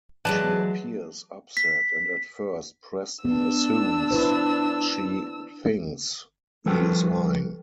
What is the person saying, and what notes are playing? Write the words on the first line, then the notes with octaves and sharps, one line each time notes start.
She appears upset and at first Preston assumes she thinks he is lying.
E3 F#3 G#3 B4 D5 A5
B6
B3 D4 E6
E4 B4 C5
F3 G3 A4 B4 G5